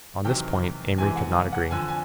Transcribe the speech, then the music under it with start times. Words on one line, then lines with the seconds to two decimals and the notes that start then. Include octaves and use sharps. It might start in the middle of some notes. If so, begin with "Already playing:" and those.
On this point Amory could not agree.
0.25 E2 C3 D#3 F#3 G5
0.98 E2 C3 E3 G#3 G#5
1.16 F#5
1.34 F5
1.53 F#5
1.71 F2 D3 F3 G#5
1.88 G#5